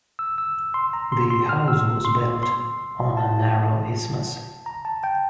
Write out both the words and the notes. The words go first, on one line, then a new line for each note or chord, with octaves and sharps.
The house was built on a narrow isthmus.
E6
E6
C6
A#5
C6
C6
F6
E6
C6
C6
A5
A#5
A5
G5